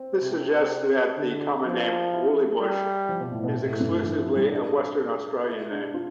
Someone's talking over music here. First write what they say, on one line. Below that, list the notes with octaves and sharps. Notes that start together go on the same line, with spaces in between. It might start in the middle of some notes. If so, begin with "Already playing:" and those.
This suggests that the common name "woollybush" is exclusively a Western Australian name.
Already playing: C4
C3
D3 D4
F3
E4
G3
F3
B2
A2
B2
B2 A3
A2
G2
A2
E3
F3
G3
D4
E4
D4
F4